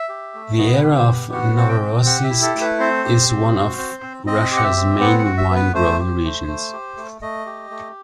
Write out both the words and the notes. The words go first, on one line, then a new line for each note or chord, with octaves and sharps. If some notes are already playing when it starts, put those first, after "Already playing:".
The area of Novorossiysk is one of Russia's main wine-growing regions.
Already playing: E5
G4
A3
B3 D#5
B4
G4
C5
B3
F#4 F#5
C4 F#5
G5
C4
G4 F#5
E5
E4
A4
A3
B4
C4 C5
G4
C4
F#4
C4
C4
C4 D#5
G4
F#5
E5
C4
B3 F#5
F#5
F#4
E5
B3
B4
A3 C5
G4
A3
A3
G4
A3
A3 D#5
G4
A3